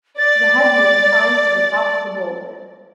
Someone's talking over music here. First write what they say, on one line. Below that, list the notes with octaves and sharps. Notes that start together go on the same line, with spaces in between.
The headman climbs to the top of the boulder.
D5 A6